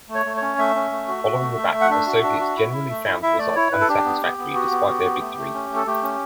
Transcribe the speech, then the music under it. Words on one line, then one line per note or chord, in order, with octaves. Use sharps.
Following the battle, the Soviets generally found the results unsatisfactory, despite their victory.
A3
C#5
A3
C#5
C#4
A3 E5
C#4
A3
F#4
F#4
A3
A3
A3
F#5
D4 E5
F#4
D4
F#4
E4
E4
A3
E4
E4 E5
A3 D5
E4 C#5
E4 B4
A4
D4 G4
B3
B3
B3
F#4
B3
F#4
B3
A3
A3
C#4
A3
A4
A3 G4
C#4